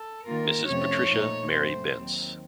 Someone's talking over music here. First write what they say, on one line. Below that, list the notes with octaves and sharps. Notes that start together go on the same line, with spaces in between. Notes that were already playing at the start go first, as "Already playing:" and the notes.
Mrs. Patricia Mary Bence.
Already playing: A4
D#3 A#3 F4 A#4
F2 C3 F3 A3 C#4 C#5
A#2 A3 D#4
F#2 F3 A3 C4 C5
D#2 D#3 F#3 C4